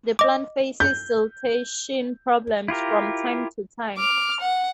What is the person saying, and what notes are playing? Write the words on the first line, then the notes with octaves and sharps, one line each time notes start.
The plant faces siltation problems from time to time.
D#5 D6
G6
E4 F4 G4 A#4
D6 F6
F#5